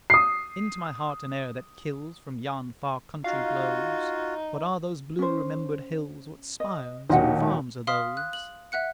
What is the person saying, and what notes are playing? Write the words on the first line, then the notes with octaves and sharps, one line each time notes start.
Into my heart an air that kills From yon far country blows: What are those blue remembered hills, What spires, what farms are those?
D#6 C7
D#4 F4 F#4 F5
C#4 C5
D#5
A#1 D#2 B2 F4 D#5 F#5
F5 C6 D#6 F6 B6
F#6
F#7
E5 F#5 F#6 C#7